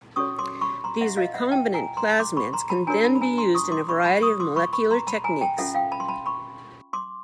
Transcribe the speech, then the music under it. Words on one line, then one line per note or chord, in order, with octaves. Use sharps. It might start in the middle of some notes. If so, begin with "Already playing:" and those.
These recombinant plasmids can then be used in a variety of molecular techniques.
C#4 F#4 A4 C#5 C#6 D#6
C6 D6
B5 C#6
A#5 C6
E5 F#5
D#5 F5
E5 F#5
G5 A5
G#5 A#5
A#5 C6
C6 D6
B5 C#6
A#5 C6
A5 B5
D4 F#4 A#4 C#5 G#5 A#5
A5 B5
B5
G#5 A#5
A#5 C6
C#6 D#6
C6 D6
B5 C#6
A5 B5
C#6 D#6
C6 D6
B5 C#6
B5 C#6
A#5 C6
A5 B5
G#5 A#5
G5 A5
C#4 F4 A4 E5 F#5
F5 G5
A5 B5
C6
A5 B5
B5 C#6
C6 D6